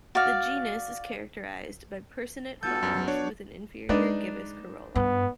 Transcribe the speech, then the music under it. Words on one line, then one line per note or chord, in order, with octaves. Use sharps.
The genus is characterized by personate flowers with an inferior gibbous corolla.
F#4 D5 F5
B3 F4 F#4 A4 G6
F#2
F#3
D4 C#5
G#3 D4 D#4 B4
G2 B3